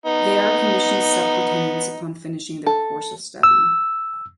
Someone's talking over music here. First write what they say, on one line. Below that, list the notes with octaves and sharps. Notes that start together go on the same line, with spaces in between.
They are commissioned Sub-lieutenants upon finishing their course of study.
B3 D#4
A4
E6